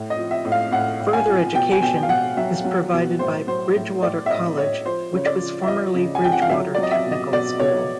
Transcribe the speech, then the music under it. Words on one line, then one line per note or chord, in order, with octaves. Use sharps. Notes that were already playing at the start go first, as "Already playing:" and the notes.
Further Education is provided by Bridgwater College which was formerly Bridgwater Technical School.
Already playing: A2
D#5
F3
E5
A2
F5
A2 F#5
A2
G#5
F3
B2 G5
G#5
B2 G5
F5
B2 F#5
F#3 E5
F#3
B2
A2 C5
F#3 C5
A2
A2 D5
E5
A2 D#5
A2 C#5
F3 C5
C#3 C#5
D5
F3
E5
F3 D#5
C#3
G#5
F3 G5
F#5
F5
F#3 E5
F#3 D5
D#5
E5
B2
D#5
B2 D5
B2 C#5